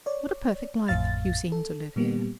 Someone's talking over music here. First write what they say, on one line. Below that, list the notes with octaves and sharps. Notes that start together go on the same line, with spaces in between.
'What a perfect life you seem to live here!
C#5 D5
A1 F2 A2 F5 A6
A4
A#2 G3 A#3 B3 G4